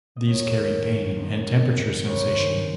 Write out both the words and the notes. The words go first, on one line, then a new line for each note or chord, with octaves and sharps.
These carry pain and temperature sensation.
D#5
D#2 D#3 A#3 C#5
F#1 F2 D#3 A#3
C#2 C3 D#3 G#3 C#5
C5